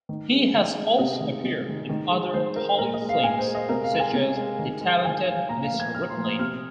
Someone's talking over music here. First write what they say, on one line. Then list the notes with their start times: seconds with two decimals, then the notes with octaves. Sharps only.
He has also appeared in other Hollywood films, such as "The Talented Mr. Ripley".
0.09 D#3
0.32 G#3
0.54 D#3
0.76 G#3
0.99 C3 D#5
1.21 D#3 G#3
1.44 C3
1.66 D#3 G#3
1.89 D#3
2.11 G#3
2.34 D#3 C5
2.56 G#3 A#4
2.79 A#2 A#4
2.94 D#5
3.01 G#3
3.09 F5
3.23 A#2 G#5
3.39 C5
3.46 G#3
3.55 D#5
3.69 C3 A#4
3.84 F5
3.92 G#3
3.99 G#5
4.14 C3
4.37 G#3
4.59 D#3
4.81 G#3
5.04 D#3 G#5
5.26 G#3 F5
5.49 A#2 A#5
5.64 F5
5.71 F3 A#3
5.80 G#6
5.94 A#2 F6
6.10 C6
6.17 F3 A#3
6.24 D#6
6.39 C3 F6